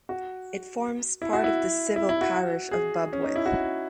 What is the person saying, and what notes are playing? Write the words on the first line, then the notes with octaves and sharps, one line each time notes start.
It forms part of the civil parish of Bubwith.
F#4
E4
F#4
E4
E4
E4
F#4
G#4
C#4
D#4
E4
F#4